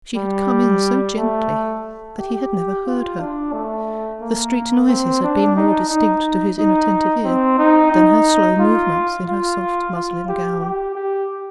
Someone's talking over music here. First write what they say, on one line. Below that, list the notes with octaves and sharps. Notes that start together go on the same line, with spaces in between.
She had come in so gently, that he had never heard her; the street noises had been more distinct to his inattentive ear than her slow movements, in her soft muslin gown.
G3
A3
G4
F4
D4
A3
A#3
C4
D4
D#4
D#4
D#4
C4
D#4
D#4
F4
F4
F4
G4
G4
G4